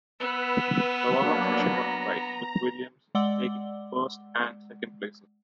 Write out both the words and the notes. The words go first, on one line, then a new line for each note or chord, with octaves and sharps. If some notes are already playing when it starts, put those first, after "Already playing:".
The warm-up session was dry, with Williams taking first and second places.
B3 B4 E6
F#3 A#3 D4
A#5
G#3 D5 F#5 D6 E6 G7